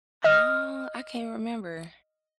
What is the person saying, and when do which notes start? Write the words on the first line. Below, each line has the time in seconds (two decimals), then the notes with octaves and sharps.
Oh, I can't remember.
0.24 D#5 F6